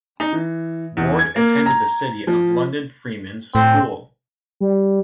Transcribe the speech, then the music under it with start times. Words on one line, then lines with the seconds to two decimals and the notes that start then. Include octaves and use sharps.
Ward attended the City of London Freemen's School.
0.20 D#4
0.33 E3
0.97 E2
1.19 G#6
1.36 A#3
1.66 A#5
2.27 F3
3.55 A2 C4
4.60 G3